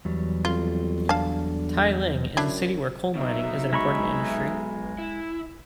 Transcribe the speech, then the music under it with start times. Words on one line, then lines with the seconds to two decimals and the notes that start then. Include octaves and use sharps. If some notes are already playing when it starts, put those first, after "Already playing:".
Tieling is a city where coal mining is an important industry.
0.05 E2 F#3 G3
0.45 F2 F4
1.09 D3 F5 A5
2.37 F#2 D4 E4
3.16 B2 F#3 D#4 E5
3.73 G#3 B5 C#6
4.99 E4